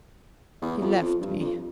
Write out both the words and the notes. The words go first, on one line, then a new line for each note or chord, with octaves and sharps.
He left me.
E2
F2
F2
G2
F2